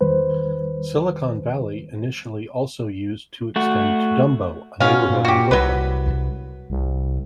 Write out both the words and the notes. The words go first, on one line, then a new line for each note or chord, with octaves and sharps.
Silicon Alley initially also used to extend to Dumbo, a neighborhood in Brooklyn.
E2 D#3 G3 B4 C5
A3 F#4
B2 B3 C#4 F5
A#2
F#4 G4
C2 F#3 B4
C2